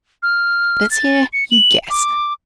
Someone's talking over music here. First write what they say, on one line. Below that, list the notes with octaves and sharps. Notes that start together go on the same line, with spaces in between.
Let's hear you guess.
F6
A6
C#7
F#7
D6